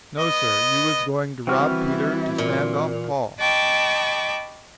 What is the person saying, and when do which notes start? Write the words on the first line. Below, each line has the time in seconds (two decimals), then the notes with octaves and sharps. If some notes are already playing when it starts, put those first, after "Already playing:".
No, sir; you was going to rob Peter to stand off Paul.
0.20 B3 D#5
1.47 E3 G3 C4 E4 F#4 F6
2.38 A#2
3.40 D#5 G5 A5 B5 C#6 D6